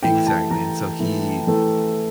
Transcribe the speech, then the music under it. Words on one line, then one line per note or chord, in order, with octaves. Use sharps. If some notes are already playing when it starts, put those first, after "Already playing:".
Exactly and so he
E3 A3 E4 G5
A5
E3 A3 E4 A#5
E3 A3 E4
E3 A3 E4